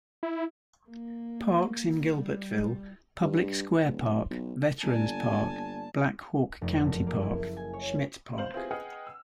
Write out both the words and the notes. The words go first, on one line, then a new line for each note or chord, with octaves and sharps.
Parks in Gilbertville Public Square Park, Veterans Park, Black Hawk County Park, Schmidt Park.
E4
A#3
G3
G2
D1
B1
G1 A#3 D5 G#5 A5
F1
F#1
A#3
E4
G#5
C#5
C4 C5 F5 F#7
B3 C4 E4 F4 G4 G#4
G#4 B4 D#5 F#5 G5 F6
E6